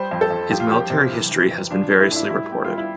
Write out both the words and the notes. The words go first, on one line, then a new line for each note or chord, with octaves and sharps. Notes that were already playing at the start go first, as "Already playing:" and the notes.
His military history has been variously reported.
Already playing: G3 C5
F2
A4
F2
F3 G4
F4
F3 G4
C3
E3
E3
F2
F3 D4
A3
E4
A2 D4
E4
G3 E4
B3 G4
F4
G3
E4